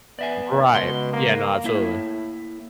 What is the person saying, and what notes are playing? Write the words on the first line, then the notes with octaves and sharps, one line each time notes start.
Right, yeah, no, absolutely.
B3 D5 E5 G#5
C#2 B2 C6
A#3
A2 A#3 E4 E5